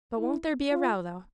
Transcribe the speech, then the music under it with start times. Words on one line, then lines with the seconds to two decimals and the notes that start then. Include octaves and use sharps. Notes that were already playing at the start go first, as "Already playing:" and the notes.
But won't there be a row though?
0.18 E4
0.71 F4